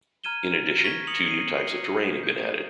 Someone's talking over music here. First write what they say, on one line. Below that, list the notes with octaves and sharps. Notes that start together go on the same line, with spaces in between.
In addition, two new types of terrain have been added.
A#5 F6 G#6 D#7 E7 G7
C#6 G#6 A#6 B6 G7
D#6 C#7 F7 F#7
C7 D#7
C7
G6